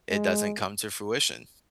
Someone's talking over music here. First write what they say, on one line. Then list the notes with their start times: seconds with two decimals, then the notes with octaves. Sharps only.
it doesn't come to fruition.
0.11 G#3